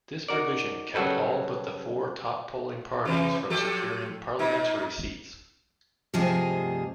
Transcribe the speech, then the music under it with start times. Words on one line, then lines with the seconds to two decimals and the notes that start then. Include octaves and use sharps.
This provision kept all but the four top-polling parties from securing parliamentary seats.
0.28 D#4 F#4 A#4 D5
0.95 C#3 F#3 G3 F#4 A4 B4
3.05 C3 E3
3.50 F3 G4 A4
4.39 A#2 D#4
6.14 D2 G2 C3 F3 G#4 D#5